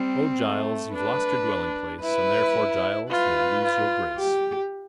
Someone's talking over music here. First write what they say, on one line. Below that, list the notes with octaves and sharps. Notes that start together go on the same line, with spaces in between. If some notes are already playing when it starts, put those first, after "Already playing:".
"O Giles, you've lost your dwelling-place, And therefore, Giles, you'll lose your Grace."
Already playing: G3 C4
A3
D4 B4
E4 B4
F4 B4
F4
G4